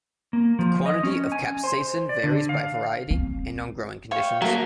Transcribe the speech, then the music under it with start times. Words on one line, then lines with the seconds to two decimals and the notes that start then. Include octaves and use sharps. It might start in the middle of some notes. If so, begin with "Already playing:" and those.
The quantity of capsaicin varies by variety, and on growing conditions.
0.33 A#3
0.59 F3
0.86 D#5
1.03 C#4
1.32 G#5
1.64 C5
2.09 D5
2.24 D3
2.49 F5
3.11 C4
4.11 C#5 F5 G5
4.42 F#3 A3 A#3 A#4